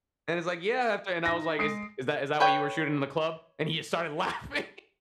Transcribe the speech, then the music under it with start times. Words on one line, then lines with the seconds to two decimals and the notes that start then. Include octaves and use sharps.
And he's like, "Yeah," after and I was like, "Is is that is that what you were shooting in the club?" And he just started laughing.
1.26 D#4 A#6
1.59 G#3 D#6 C7 D7
2.40 B4 C#5 G5